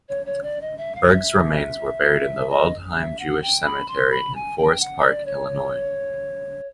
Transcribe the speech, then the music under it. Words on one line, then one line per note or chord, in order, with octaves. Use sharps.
Berg's remains were buried at the Waldheim Jewish Cemetery in Forest Park, Illinois.
C#5
C#5
D5
D#5
E5
F5
F5
E5
D#5
E5
F#5
G5
B5
C6
B5
G#5
G5
F#5
D5
C#5